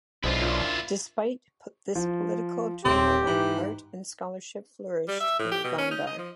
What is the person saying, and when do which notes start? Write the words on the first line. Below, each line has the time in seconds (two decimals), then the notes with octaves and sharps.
Despite this political turmoil, art and scholarship flourished in Gondar.
0.24 B1 G#3 D4 E4 F4 C5
0.42 A#2 D4
1.95 F3
2.85 D#1 C4 G4 C#5
3.26 G#2 E3
5.08 G3
5.20 E5
5.39 A2
5.52 G4
5.64 B2
5.78 C#4
5.91 D#4
6.07 D#5
6.19 F3